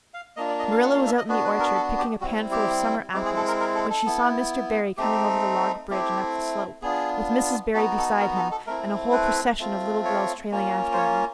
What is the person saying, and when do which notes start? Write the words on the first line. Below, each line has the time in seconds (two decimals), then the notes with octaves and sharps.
Marilla was out in the orchard picking a panful of summer apples when she saw Mr. Barry coming over the log bridge and up the slope, with Mrs. Barry beside him and a whole procession of little girls trailing after him.
0.14 F5
0.36 A#3 D4 F4 D#5
0.49 D5
0.59 D#5
0.71 F5
0.83 F#5
0.95 F5
1.07 E5
1.18 D#5
1.29 B3 D4 F#4 B4
1.45 B4
1.60 A#4
1.75 A4
1.98 G4
2.21 G3 C4 E4 F#4
2.52 G4
3.13 G#3 C4 E4 G4
3.25 G#4
3.36 A4
3.48 A#4
3.60 A#4
3.75 A4
3.90 A4
4.06 B3 E4
4.97 A3 C4 D#4 G4
5.90 A3 C4 E4 G4
6.82 B3 D4 F4 G#4
7.74 B3 D#4 F#4 A4
7.98 A4
8.20 A#4
8.36 A4
8.52 A4
8.67 A3 C4 E4 A#4
9.13 B4
9.59 A3 C4 F4
10.05 C#5
10.51 A#3 C#4 F4
10.93 C5
10.97 C#5